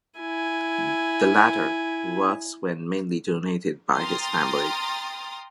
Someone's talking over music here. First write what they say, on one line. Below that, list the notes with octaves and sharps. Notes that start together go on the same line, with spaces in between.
The latter works were mainly donated by his family.
E4 G#5
G5 A#5 C6 D#6 F6 A6